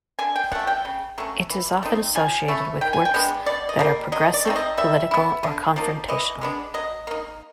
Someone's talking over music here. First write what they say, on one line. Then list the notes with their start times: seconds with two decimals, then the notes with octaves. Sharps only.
It is often associated with works that are progressive, political, or confrontational.
0.19 D3 G#5
0.36 G5
0.52 F3 A3 F#5
0.67 G5
0.85 C#3
1.18 F#3 A3 C#4
1.50 E3
1.83 A3 C4 D#4
2.15 F3 G#5
2.48 A3 C#4 E4
2.81 D#3 G5
2.93 G#5
3.05 G5
3.14 G#3 B3 D4
3.46 B2 D5
3.69 D#5
3.79 G3 A#3
4.12 F#3 D#5
4.34 D5
4.45 A3 C4 D#4
4.56 D#5
4.77 G3 E5
5.11 B3 E4
5.43 D3
5.76 F3 A#3 D#4
6.08 E3 D#5
6.41 G#3 B3 D4
6.74 F#3 D#5
7.07 A#3 D#4